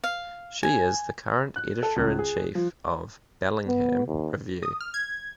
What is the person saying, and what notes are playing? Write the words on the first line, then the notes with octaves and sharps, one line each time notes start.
She is the current Editor-in-Chief of "Bellingham Review".
F5
G#5
F#6
A4
C#2
G#4
F3
B3
D#2
D#6
F6
G#6